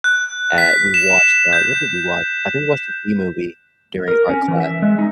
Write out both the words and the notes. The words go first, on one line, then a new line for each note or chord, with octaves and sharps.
at we watched, uh- what did we watch? I think we watched the Bee Movie during art class,
F#6
B6
E7
G6
A#4
C#4
E3
E5
G#3
D#4